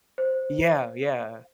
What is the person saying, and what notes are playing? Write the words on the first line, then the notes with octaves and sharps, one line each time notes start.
Yeah yeah.
C5